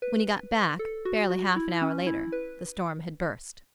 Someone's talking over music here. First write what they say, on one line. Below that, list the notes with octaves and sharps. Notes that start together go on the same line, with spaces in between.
When he got back, barely half an hour later, the storm had burst.
B4
A4
F#4
F#4
E4
C#4
E4
B4